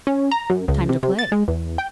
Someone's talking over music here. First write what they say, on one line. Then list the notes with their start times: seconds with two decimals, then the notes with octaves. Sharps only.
"Time to play."
0.07 C#4
0.31 A#5
0.50 F#2
0.68 C#2
0.89 C3
1.03 C3
1.19 A6
1.32 G#3
1.48 E2
1.78 G5